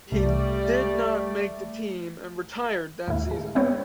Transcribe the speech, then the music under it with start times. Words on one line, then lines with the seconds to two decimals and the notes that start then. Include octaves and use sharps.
He did not make the team and retired that season.
0.12 C2 G3 A3 D5
3.08 D#2 A2 E4
3.31 G#3
3.55 G#3 B3 C4 B4 C#5